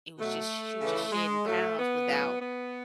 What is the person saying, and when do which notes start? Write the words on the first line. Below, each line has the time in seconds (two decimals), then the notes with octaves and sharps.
it was just she was just shedding pounds without
0.18 B2 F#3 A3
0.81 C#3 E3
1.12 G#3
1.44 A2 F#3 A3
1.76 B3
2.07 A2 F#3
2.39 B3